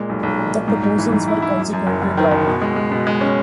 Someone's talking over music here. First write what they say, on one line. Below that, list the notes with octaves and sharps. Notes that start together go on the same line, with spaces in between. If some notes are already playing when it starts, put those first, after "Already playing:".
The proposals were consequently dropped.
Already playing: A#2 G#3
B1
B1
A#2
B1
G#2
G#2
E3
G#2
E4
E4
F#2
F#2
F#1
F#1
D#3
F#1
B2
G#3
G#3
B2
G#3
C#4